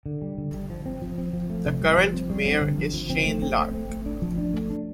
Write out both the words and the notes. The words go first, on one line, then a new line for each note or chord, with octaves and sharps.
The current mayor is Shane Larck.
D3
G3
D3
G3
F3
C4
F3
C4
F3
A3
C3
G3
F3
C4
G3
C4
D3
F3
F3
C4
A3
C4
A3
C4
A3
D4
F3
D4
A3
D4